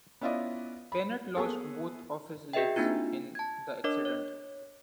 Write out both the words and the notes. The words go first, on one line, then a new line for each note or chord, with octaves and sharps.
Bennett lost both of his legs in the accident.
B3 C#4 E4 F4 D5 D#5
B5
A#3 B3 G#4 A4
F#4 G#4 B4 D#5 E5 G5
A#3 C4 D4 D#4 F4
A5 G#6
D4 A#4 C#5 D#5 D6
C#5